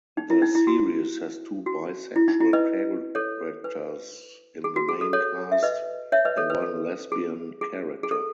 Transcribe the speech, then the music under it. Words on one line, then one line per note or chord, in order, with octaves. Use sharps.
The series has two bisexual characters in the main cast and one lesbian character.
D#4
E4
D#4
E4
F#4
F#4
E4
D#4
E4
B4 D#5
A4 C#5
B4
G#4
F#4
G#4
A4
A4 C#5
E5
B4 D#5
C#5 E5
B4 D#5
A4 C#5
B4
A4
G#4
G#4
G#4
A4